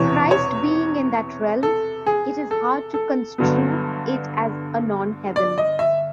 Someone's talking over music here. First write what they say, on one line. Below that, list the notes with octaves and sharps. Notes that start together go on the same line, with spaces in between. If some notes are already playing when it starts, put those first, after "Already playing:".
Christ being in that realm, it is hard to construe it as a non-heaven.
Already playing: E1 E2 C3 E3 C#5
C#5
A4
G#4
A4
A4
G1 G2 D3 F#3 B3
D5
D#5
E5